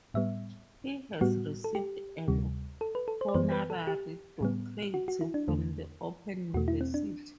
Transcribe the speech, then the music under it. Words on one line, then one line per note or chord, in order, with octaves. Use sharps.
He has received an honorary doctorate from the Open University.
A2 G3 B3 E5
A2 G3 B3 F#4
A4
G4
D2 C3 G3
A4
B4
A4
C5
D5
F#2 E3 G3 B3 C5
B4
A4
G4
A2 G3 B3
F#4
F#4
E4
D4
E2 D3 A3
E2 B2 A3 F#4
E4
C4
D4